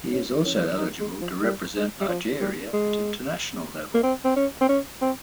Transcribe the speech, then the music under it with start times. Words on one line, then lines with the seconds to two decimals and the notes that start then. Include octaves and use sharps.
He is also eligible to represent Nigeria at international level.
0.13 C#4
0.45 C#4
0.78 D#4
1.00 G#3
1.21 F3
1.43 G3
1.76 G#3
2.01 G3
2.08 F3
2.40 G3
2.73 G#3
3.94 A#3
4.03 C4
4.25 C4
4.36 C#4
4.61 C4
4.69 C#4
5.02 C4